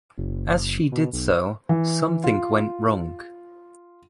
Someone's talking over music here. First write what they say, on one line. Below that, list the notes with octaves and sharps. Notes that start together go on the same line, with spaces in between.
As she did so, something went wrong.
F#1
B2
B1
E3
F4